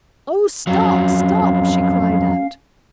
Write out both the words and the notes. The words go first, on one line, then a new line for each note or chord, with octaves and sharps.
"Oh, stop, stop!" she cried out.
F2 F#3 C#4 F5